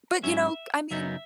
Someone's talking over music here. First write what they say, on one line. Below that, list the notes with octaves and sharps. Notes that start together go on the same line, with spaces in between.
But, you know, I mean
G#2 F#3 C#4 E5
F#2 C#3 F#3 B3 D#4 E5